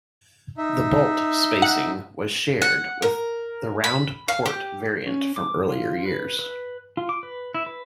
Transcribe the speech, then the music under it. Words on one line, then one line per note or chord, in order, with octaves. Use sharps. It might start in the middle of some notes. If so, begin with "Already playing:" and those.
The bolt spacing was shared with the round-port variant from earlier years.
D#4 E5
F#5
F#5
A#4
B5
F5
G4
C#4
D6
F4
B4
B4
F4
D6
B4
E4
B4